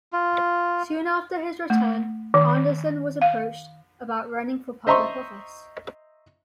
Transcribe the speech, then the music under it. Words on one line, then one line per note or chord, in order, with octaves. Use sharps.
Soon after his return, Anderson was approached about running for public office.
F4
A3
D#3
F5
C5 D#5 E5 A#5 C6 C#6